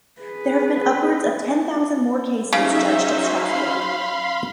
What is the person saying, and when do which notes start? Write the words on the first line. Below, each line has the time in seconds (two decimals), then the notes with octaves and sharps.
There have been upwards of ten thousand more cases judged at Strasbourg.
0.21 G#4 B4
2.53 C#3 F#3 C#4 D#4 C5 E5
3.32 F5 B5 C6